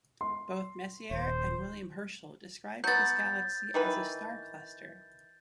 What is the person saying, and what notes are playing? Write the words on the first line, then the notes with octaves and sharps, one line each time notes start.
Both Messier and William Herschel described this galaxy as a star cluster.
C6
D#1 C5
F#3 B3 G6 A6
D#3 E3 B4